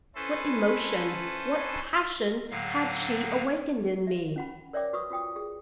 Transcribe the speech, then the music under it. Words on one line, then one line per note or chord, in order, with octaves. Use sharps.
What emotion, what passion, had she awakened in me?
C#4 E4 A4 B4 C5
A2 D3 F#3 F5
E5
C#4 F#5 B5
A#4 C#5 D5 E5 G5 D6
F#4 B4 C#6 D#6 E6
F4 F#4 G5 D#6
G#4